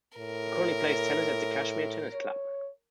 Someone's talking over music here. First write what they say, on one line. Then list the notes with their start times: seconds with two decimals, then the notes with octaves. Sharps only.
He currently plays tennis at the Cashmere Tennis Club.
0.18 A2 A#4
2.13 C#5